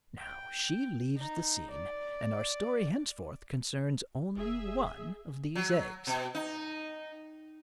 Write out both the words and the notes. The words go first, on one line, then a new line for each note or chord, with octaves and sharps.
Now she leaves the scene, and our story henceforth concerns only one of these eggs.
G5
D#4
D5
F1 G#4 E5
F#3
B2
D#4